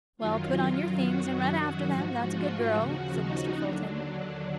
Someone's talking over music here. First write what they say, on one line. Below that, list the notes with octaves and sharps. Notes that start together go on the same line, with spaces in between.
"Well, put on your things and run after them, that's a good girl," said Mr. Fulton.
F#2 D#3 F#3 F4
F#2 D#3 F#3 F#4
G#2 F3
F4
D#2 C#3 F3 F#4
D#4
D#2 D3 F#3 D4